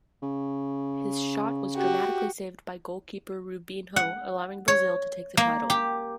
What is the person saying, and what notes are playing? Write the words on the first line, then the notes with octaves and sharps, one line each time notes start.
His shot was dramatically saved by goalkeeper Rubinho, allowing Brazil to take the title.
C#3
F#4 G4
F#5
C#5
A#3
G4